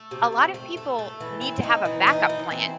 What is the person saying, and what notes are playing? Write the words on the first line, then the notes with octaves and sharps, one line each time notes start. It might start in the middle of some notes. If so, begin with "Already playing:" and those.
a lot of people need to have a backup plan
Already playing: A3
C3
C4
A3
A3
A3
E3
C4
D#4
E3
D#4
E3
C4